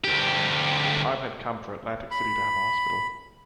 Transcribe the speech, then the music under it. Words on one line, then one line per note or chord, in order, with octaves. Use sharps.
The time had come for Atlantic City to have a hospital.
D2 G4
B5